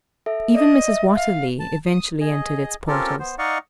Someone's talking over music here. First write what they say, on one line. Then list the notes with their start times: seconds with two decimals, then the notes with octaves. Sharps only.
Even Mrs. Watterly eventually entered its portals.
0.26 A4 E5
0.55 D5 D#5
0.88 E5
1.15 F5
1.60 A5
1.86 D#6
2.20 G#4 D#5
2.88 C4 C#4 F4 G4 A4 A#4
3.19 B3 C5
3.38 D#4 D5 D#5 F5 F#5 C#6